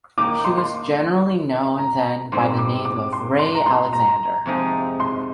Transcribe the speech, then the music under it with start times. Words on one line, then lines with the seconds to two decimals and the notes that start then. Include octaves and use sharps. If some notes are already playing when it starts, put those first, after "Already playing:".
She was generally known then by the name of Ray Alexander.
0.18 D#3 A#3 D#4 D6
0.44 C6
0.57 C6
1.78 A#5
2.32 G#2 G3 C4 C6
2.58 D6
2.85 D6
3.13 C6
3.39 C6
3.55 A#5
3.66 C6
3.93 A#5
4.46 F2 C3 F3 G#3 D#4
5.00 C6